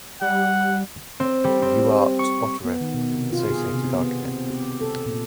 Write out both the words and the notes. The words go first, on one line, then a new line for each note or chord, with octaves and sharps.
Ewart, Ottawa, associated architect.
G3 F#5
C4
G3
C4
C#6
B3
D#3
B2
C3
F4
G#4
C3
B3
C4
G4
A4
A#2